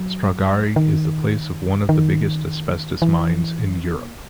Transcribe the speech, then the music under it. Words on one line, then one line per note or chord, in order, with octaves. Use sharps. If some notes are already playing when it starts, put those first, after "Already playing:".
Stragari is the place of one of the biggest asbestos mines in Europe.
Already playing: F#3
D#3
D#3
E3
B3
A#3